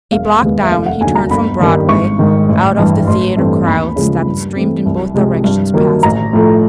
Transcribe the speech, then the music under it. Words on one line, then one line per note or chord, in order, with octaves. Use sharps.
A block down, he turned from Broadway out of the theatre crowds that streamed in both directions past him.
E1 F5
D#2 D#3 G#3 B3
E5
F1 F5
F#5
D#2 D3 F#3 G#5
A#5
G1 B5
G2 D#3 G3 A#3
G#1 C#6
G#2 D#3
A1
G2 E3 G3
A1 C6
G2 E3 A3 C4
D#2 B5
C#3 F3 G#3
G2
E3 A3 C4
C2
C3 F3 G#3
G2
D#3 F#3 A#3
A1 A#5
A2 F3 A3